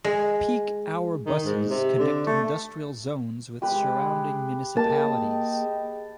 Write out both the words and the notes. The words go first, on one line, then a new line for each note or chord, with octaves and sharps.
Peak hour buses connect industrial zones with surrounding municipalities.
G#3
D#3
G#2
C3
D3
A3
C3 G#3 G4 B4
A#3 G#4 D#5 G5 A5